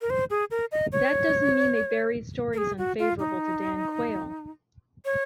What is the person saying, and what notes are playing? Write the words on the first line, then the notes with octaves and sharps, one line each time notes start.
That doesn't mean they buried stories unfavorable to Dan Quayle.
A#4
C5
G#4
A#4
D#5
C#5
A#4
G#4
F#4
F4
D#4
C#5